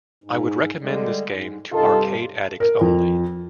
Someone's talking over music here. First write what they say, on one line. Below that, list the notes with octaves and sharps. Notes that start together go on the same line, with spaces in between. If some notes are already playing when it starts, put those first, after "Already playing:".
I would recommend this game to arcade addicts only.
G#2
D3 G3 G#3
G#2
G2 C3 D#4 F4 A4
A#4
F2